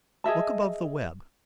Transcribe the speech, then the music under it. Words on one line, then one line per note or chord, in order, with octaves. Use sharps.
Look above the web.
G#4 D#5 E5 A5